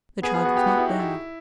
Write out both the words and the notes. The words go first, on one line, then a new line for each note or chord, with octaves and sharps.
The child was not there.
B3 G#4
G#4
F#4
G4
F#4
E4
D#4
E4